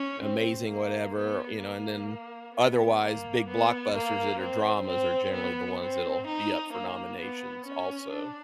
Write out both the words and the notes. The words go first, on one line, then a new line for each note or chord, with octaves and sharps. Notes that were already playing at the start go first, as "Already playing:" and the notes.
amazing whatever, you know? And then otherwise, big blockbusters that are dramas are generally the ones that'll be up for nominations also.
Already playing: C#4
C4
A#3
B3
A#3
B3
A#3
B3
A#3
C4
C4
B3
C4
D#4
A#3
B3
C#4
D4